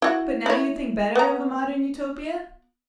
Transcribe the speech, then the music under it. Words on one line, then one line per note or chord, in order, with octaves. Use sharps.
But now you think better of a modern Utopia?
E4 F#4
E4 C#5
B3 A#5